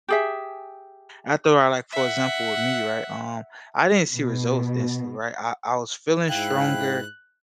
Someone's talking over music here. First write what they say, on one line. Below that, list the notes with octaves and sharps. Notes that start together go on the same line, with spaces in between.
After I, like, for example, with me, right, um, I didn't see results instantly, right? I I was feeling stronger,
G4 G#4 E5
E5 F#5
B2
G#2 E4 F5 G5 F#6